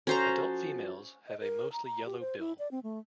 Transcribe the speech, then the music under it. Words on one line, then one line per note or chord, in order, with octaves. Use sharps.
Adult females have a mostly yellow bill.
F3 C#4 F#4 A4 C5 A#5
D#5
A#4
A#5
A#5
G4
C5
E4
D5
C4
A3